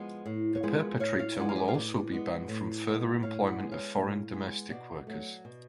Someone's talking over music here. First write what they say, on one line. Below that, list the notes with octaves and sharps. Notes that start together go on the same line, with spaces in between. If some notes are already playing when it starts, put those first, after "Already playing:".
The perpetrator will also be banned from further employment of foreign domestic workers.
Already playing: F3 G#3 B3
A2
C#5
F3 G#3 B3 G#4 B4
A2 C#5 F5
C#5 F5
F3 G#3 B3 D5 F#5
F5
B4 D5
F5
A2 B4 D5
G#3 B3
A2
G#3 B3
A2 C#5 F5
D5 F#5
G#3 B3
C#5 F5
A2
G#3 B3
B2 D5 F#5
F#3 A3
B2